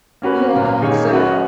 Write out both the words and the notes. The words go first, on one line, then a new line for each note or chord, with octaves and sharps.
Yeah, so,
A#3 C#4 F#4 B4
A#2 F#3 C#4
D#3 A#3 D#4 G#4 C#5
F#3 C#4 F#4 B4